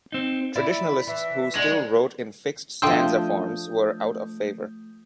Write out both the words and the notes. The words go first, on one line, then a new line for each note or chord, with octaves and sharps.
Traditionalists who still wrote in fixed stanza forms were out of favor.
C4 D#4
E4 D5 B5
E3 E5
G#3 D4 F#5
F3 A3 D4 G5 C6 D#6 E6 G6